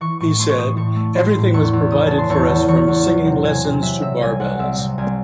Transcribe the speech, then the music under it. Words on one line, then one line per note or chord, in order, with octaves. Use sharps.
He said: Everything was provided for us, from singing lessons to barbells.
E3 C#6
A2 C#6
A3 C6
C#6
A2 D#6
A2 C#6
A3
A2 C6
A2
E2 C#6
E2
C#3 D#6
C#3 A5
C6
E2 C#6
E3
E2 C#6
E2
F#3
C3
C3 G#5
C3
F#3 E5
C3 E5
C2 G#5
C2 F#5
C2 E5
C3
C2 G#5